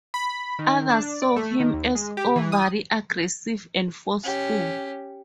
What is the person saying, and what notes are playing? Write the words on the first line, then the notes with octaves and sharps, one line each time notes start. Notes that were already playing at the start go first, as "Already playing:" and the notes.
Others saw him as overly aggressive and forceful.
B5
D#3
D4
D5
A3
D#3
D#2
G#3
G4
E3
D#6
C#4 G4